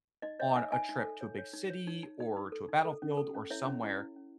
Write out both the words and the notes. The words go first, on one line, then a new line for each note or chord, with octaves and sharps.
on a trip to a big city or to a battlefield or somewhere
D#4 D#5
C#5 D#5
D#4 E5 G#5
D#4 E5 G#5
D#4
A4
C#5
C#5
D#4
C#5
D#4
D#4
D#4
D#4
A4
D#4
A4
C#4
A4
C#4
E4 C#5 E5
C#4
E4
E4
C#4